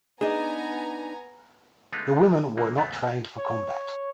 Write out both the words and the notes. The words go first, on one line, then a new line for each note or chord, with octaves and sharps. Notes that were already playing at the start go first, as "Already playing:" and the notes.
The women were not trained for combat.
B3 D4 D#4 G#4 D5 G#5 A#5
D3 G#3 A3 B3 D#4 F4
A#2 C#3 E3 A#3
D#2 G#2 C#3 F#3 A3 B3
C#5